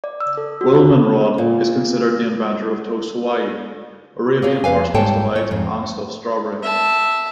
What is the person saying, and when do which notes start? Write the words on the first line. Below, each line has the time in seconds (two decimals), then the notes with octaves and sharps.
Wilmenrod is considered the inventor of Toast Hawaii, "Arabian Horseman's Delight" and "stuffed strawberry".
0.04 D5
0.20 E6
0.37 A4
0.61 F#4
0.73 F4
1.38 A#2
4.42 A#3 G#4 C#5
4.64 F2 B4 F5 G#5
4.94 G#2 G3 A4 C#5 G5 A5
5.36 C#5
5.51 F2 G#2
6.63 E5 A5